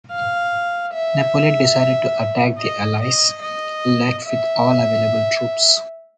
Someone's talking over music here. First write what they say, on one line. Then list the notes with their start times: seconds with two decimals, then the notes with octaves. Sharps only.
Napoleon decided to attack the allies' left with all available troops.
0.11 F5
0.93 E5
2.59 D#5
3.00 D#5
3.41 D#5
4.25 E5